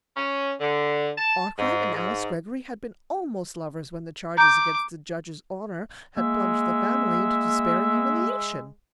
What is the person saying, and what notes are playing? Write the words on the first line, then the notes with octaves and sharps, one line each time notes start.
Arkwright and Alice Greggory had been almost lovers when the charges against the Judge's honor had plunged the family into despairing humiliation.
C#4
D3
A5
G#2
G#2
A#5 D6 G6
G#3 A#3 E5